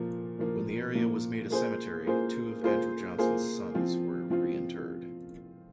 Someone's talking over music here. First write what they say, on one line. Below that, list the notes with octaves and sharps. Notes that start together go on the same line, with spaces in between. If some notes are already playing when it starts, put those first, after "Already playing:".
When the area was made a cemetery, two of Andrew Johnson's sons were reinterred.
Already playing: A#2 F3 A#3
A#2 F3 A#3
A#2 F3 A#3
A#3 F4 G#4 C5
A#3 F4 G#4 C5
A#3 F4 G#4 C5
A#3 F4 G#4 C5
F3 C4 F4
F3 C4 F4